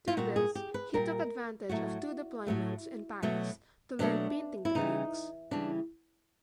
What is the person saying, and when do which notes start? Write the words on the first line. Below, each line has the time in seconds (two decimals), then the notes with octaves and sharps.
Through this, he took advantage of two deployments in Paris to learn painting techniques.
0.08 F4
0.17 A#2 G3 F#4
0.36 G#4
0.55 G4
0.74 B4
0.94 A#2 G3 A#4
1.69 A2 F#3 A3 F#4
2.47 A2 F#3 A3
3.23 B2 F#3 A3
3.99 B2 F#3 A3 D4
4.65 E4
4.75 C#3 E3 G3 D#4
5.51 C#3 E3 G3 D4